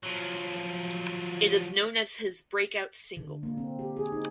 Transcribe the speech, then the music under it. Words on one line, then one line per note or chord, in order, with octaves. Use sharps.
It is known as his breakout single.
F3 F#3
D3
A#3
C4
G4
G#4
D#4